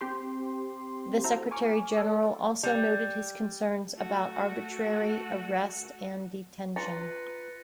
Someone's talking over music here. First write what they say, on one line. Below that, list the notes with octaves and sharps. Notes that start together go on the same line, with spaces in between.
The Secretary-General also noted his concerns about arbitrary arrest and detention.
C4 G4 C6
E4 F#4 A4 C5 A#5
G#5 C#6 D6 F6
A4 D5
G3
A3 F#4
F4 B4 A#5 A6 A#6 C#7